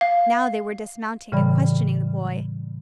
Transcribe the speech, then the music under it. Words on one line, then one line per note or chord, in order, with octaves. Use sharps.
Now they were dismounting and questioning the boy.
F5
A2 C#3 E3 G3 D5 B5